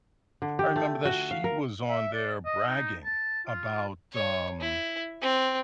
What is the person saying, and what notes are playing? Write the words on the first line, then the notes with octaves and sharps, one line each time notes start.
I remember that she was on there bragging about, um
D3
G4
A3
F#4
F5
A#4
E5
D5
D#5
D#4
A5
F4
C#5
E4
C4